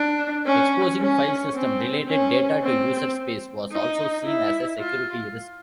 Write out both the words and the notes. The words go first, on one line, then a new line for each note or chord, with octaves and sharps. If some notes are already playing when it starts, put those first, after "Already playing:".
Exposing file system related data to user-space was also seen as a security risk.
Already playing: D4
C#4
C#4
C4
C#4
C4
D#4
E4
F4